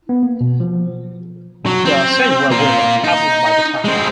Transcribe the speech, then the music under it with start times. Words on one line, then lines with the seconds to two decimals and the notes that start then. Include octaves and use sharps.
The Segura River passes by the town.
0.09 B3
0.23 A#3
0.41 B2
0.60 F3
1.66 F#3
1.85 C4
2.51 A#3 F4
3.04 D#4
3.84 G#3 C4